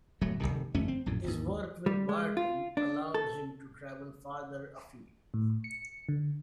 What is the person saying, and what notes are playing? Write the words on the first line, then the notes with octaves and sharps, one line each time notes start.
His work with Barton allowed him to travel farther afield.
D1 F#3 A3
F1 B1 C3 D#3
G1 F2 A3 C#4
C4
A#1 F#2 A2
G#1 D#2
G3
G#3
F4
D4
A4
A2
C#7
D3